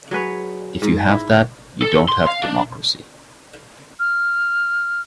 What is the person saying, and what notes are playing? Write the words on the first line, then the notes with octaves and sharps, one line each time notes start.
If you have that, you don't have democracy.
F#3 G#4 B4 C#5
G#2
E4
A4
C6
F5
D4
F6